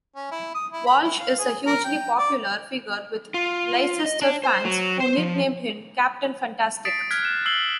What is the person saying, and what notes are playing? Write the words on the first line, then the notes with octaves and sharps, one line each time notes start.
Walsh is a hugely popular figure with Leicester fans, who nicknamed him "Captain Fantastic".
C#4
E4
D#6
E4
B5
E4
F5
G#4
A#4
G5
D5
F4
D#5
D4
C5
F#3
C5
F3
D#6 A6 B6 C7 D7
F6 F#6 G#6 B6
F#6 E7
E6 G#6 C7 F#7 G7